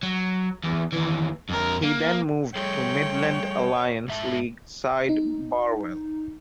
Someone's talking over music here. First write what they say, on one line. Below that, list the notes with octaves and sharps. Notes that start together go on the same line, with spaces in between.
He then moved to Midland Alliance league side Barwell.
F#3
E2
D#2 E3
F2 A#4
A#3
G3 G#4 A4 C#5 G5
G#2 E5 A5
D#4